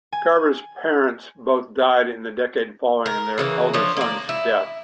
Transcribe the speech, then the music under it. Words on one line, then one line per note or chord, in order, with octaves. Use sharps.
Garber's parents both died in the decade following their elder son's death.
G#5
A#4
C#3 E3 A#3
F3 D4 C#5
A#3 D5
E4